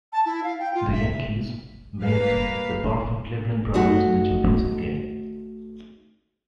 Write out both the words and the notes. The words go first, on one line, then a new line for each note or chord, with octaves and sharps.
The Yankees met the powerful Cleveland Browns in the championship game.
A5
E4
F5
G5
F4
E5
G3 A#3 B4 F5
A3 D#4 F#4